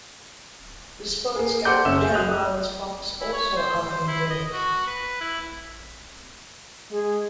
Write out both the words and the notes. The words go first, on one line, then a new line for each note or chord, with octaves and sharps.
The spotted skunk and Channel Islands fox also are endemic.
A#3 G#4
A4 C5 F#5 C6 D6 G6
F#1 C#4 E5 E6 E7
G#4 A4 E5
F#3 D#5 D#6 F#6 F7
E4
C#5
C5
C5
E4
D#5
F#4
B4
E4
G#3 G#4